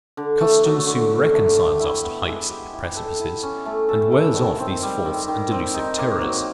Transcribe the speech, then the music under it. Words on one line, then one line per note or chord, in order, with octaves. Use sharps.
Custom soon reconciles us to heights and precipices, and wears off these false and delusive terrors.
D3
A3
F#3
D3
D3
A3
G4
E4
B3
G#3
G4
E4
A4
E4
C#4
A3
A4
E4
D#3
C4
G3
D#3
D#3
C4
D#4
A#3
F#3